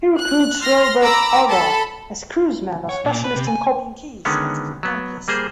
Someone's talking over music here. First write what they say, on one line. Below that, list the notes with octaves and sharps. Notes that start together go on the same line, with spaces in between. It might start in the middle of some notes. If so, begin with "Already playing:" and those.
He recruits Robert Agar, a "screwsman" or specialist in copying keys, as an accomplice.
F#6
C6 F6 A#6
A#5 B5 D6 E6
A4 A5 B5
C#5
A#2
B4
C3
G#5
D3 D#3 G#3 B3 C#4
F#3 B3
G3 A#3 G#4 C5